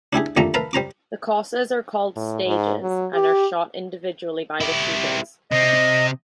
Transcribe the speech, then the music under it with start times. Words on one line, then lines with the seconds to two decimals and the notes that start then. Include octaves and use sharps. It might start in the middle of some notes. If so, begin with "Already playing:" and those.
The courses are called "stages", and are shot individually by the shooters.
0.13 D4 E4 G4 G#4
0.37 F2 D3 G3 A3 A#3 A#5
0.54 A#4 B4 E5 F5 A5 A#5
0.73 G3 C5 A#5 D6
2.16 A2
2.46 G#2
2.81 F#3
3.14 G4
4.60 E4 G4
5.51 C3 C4 D#5